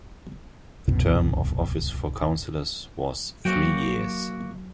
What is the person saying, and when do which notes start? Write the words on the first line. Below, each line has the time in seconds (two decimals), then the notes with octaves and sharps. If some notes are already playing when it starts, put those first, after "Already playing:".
The term of office for councillors was three years.
0.88 D1 C2 F#2 B2
3.45 F#3 A#3 F#4 G5